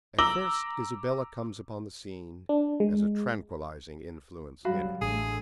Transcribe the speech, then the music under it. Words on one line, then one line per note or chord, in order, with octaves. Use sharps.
At first Isabella comes upon the scene as a tranquillising influence in it.
A#5 D6 E6 A#6 F#7 G7
D4
G#3
F#2 F#3 G3 F#4 F5 B5
A1 D3 A3 G#4